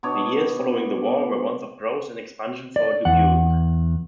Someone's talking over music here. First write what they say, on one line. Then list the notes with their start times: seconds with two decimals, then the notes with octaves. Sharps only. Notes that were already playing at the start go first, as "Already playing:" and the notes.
The years following the war were ones of growth and expansion for Dubuque.
0.03 B2 B3 D4 C#5
2.76 D5
3.05 E2 F#5